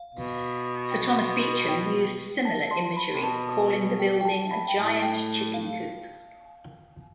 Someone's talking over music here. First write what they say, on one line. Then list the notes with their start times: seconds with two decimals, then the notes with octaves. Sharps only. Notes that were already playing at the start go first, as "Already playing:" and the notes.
Sir Thomas Beecham used similar imagery, calling the building a "giant chicken coop".
Already playing: F5
0.15 B2
0.91 G5
1.17 C6
1.69 G5
2.45 A5
2.71 C6
2.97 B5
3.13 C3 B5
3.23 B2 A5
4.00 G5
4.21 G5
4.25 A5
4.51 B5
4.68 G5
4.76 A2 A5
5.02 G5
5.54 F5